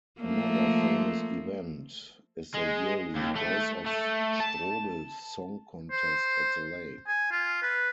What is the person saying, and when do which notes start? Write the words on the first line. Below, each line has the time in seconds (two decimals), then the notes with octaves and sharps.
Another famous event is the yearly "Voice of Strobl" song contest at the lake.
0.20 F3 A3 A#3
2.55 G#3
3.15 D#2
3.36 A3
3.86 A3
4.40 A5
5.92 C5
7.08 G#5
7.31 F4
7.63 B4